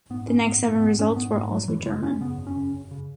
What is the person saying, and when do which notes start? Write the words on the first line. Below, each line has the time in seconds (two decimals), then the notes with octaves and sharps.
The next seven results were also German.
0.10 G#2 B3
0.28 G#2 C#4
0.45 G#2 B3
0.63 G#2 A#3
0.80 G#2 B3
0.98 G#2 C#4
1.16 G#2 B3
1.33 G#2 A#3
1.51 G#2 F#3
1.68 F#2 E3
1.86 C#3 G#3
2.03 F#2 C#4
2.20 C#3 B3
2.38 F#2
2.47 C#4
2.56 C#3
2.74 F#2
2.91 C#3